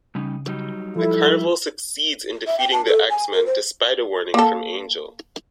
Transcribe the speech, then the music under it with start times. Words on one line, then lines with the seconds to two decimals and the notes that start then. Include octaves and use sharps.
The carnival succeeds in defeating the X-Men despite a warning from Angel.
0.15 C#3 G3 C#4 D#4
0.46 F#3 G3 D#4
0.96 F3 E4 A4
2.47 E5
2.58 G5
2.72 A5
2.86 A4
3.10 G#5
3.32 A#4
3.46 C5
4.34 A#3 A4